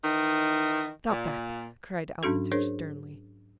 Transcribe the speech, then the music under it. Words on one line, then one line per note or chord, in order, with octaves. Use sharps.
"Stop that!" cried Alpatych sternly.
D#3 E3 D#5
A#2
G#2 F#3 C#4 D4 F#4 A4
D4 G#4 A#4 C5 C#5